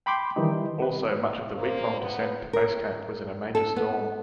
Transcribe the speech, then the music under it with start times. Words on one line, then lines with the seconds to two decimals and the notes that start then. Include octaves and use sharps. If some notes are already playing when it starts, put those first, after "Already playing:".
Also, much of the week-long descent to base camp was in a major storm.
0.06 G5 B5 C6 D6 G6
0.36 D#3 E3 G3 D#4
0.82 B4
1.57 A#3 C5
2.00 B3
2.53 A#4
3.55 A4
3.76 B3